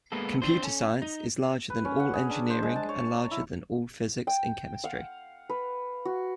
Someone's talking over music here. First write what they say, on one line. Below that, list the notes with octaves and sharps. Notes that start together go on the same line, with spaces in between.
Computer science is larger than all engineering, and larger than all physics and chemistry.
G#3 A#3 B3 A4
C4 D4 F4 C5
C#4 A4
D#4
B4
C#4
F#5
G#4
D4
C5
G#3
A5
C#5
A#5
E4
G5
F5 F#5
B4
F#4